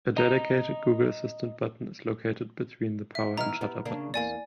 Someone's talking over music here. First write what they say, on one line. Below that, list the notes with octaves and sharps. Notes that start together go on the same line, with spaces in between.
A dedicated Google Assistant button is located between the power and shutter buttons.
D#5 A#5
E5
E3 B3 D#4 A#5 F6
B3 G4
C#3 A#3 D4
E2 A#3 D5 G#5